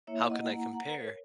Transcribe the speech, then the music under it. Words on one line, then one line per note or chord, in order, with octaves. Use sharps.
How can I compare?
A#3 E4 C#5 E5
D#5 F#5
F#5 A#5
F#5 A#5
B4
A#4 C#5